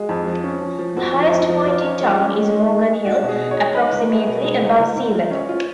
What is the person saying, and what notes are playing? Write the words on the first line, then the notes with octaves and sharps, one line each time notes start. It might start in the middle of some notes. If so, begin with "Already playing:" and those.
The highest point in town is Morgan Hill, approximately above sea level.
Already playing: G#3 F#4
F2
F3
C#4
F3
F3
F2 F#4
F3
D#4
F2
D#4
F3
F3 F4
C#4
G#3
C#4
G#3
D#4
G#3
G#3
D#4 F#4
B2
G#4
D#4
C#5
G#3
D#4 B4
C#2
G#3
B2
G#3 D#4
C#2
C#2
C#2
F4
C#4
F4